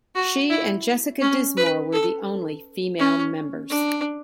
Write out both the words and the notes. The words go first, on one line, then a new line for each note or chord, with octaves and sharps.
She and Jessica Dismorr were the only female members.
F#4
E4
C#4
B4
A4
C#4
D4